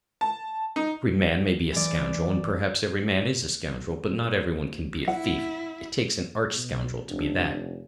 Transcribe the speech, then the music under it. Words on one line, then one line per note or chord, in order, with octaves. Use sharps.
Every man may be a scoundrel, and perhaps every man is a scoundrel, but not every one can be a thief, it takes an arch-scoundrel to be that.
A5
D#4
E3 D5
E4 F#5
B2
F1 D4